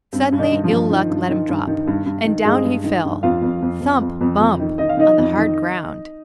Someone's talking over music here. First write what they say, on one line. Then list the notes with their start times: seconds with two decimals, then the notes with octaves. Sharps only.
Suddenly Ill-Luck let him drop, and down he fell--thump! bump!--on the hard ground.
0.13 G2 C4
0.32 G2
0.39 D#3 D#4
0.52 G2
0.64 F3 F4
0.71 G2
0.91 D#3
1.10 G2
1.29 D#3
1.49 G2
1.67 D#3
1.87 G2
2.06 G2
2.25 D#3
2.45 G2 G#3 G#4
2.64 G2
2.84 D#3
3.04 G2
3.23 F2 F4 F5
3.43 F2
3.62 F2
3.81 F2
4.01 F2
4.21 F2
4.40 F2
4.60 D#3
4.78 D#3 D#5
4.89 F5
4.97 D#3 D#4 D#5
5.18 F2
5.37 D#3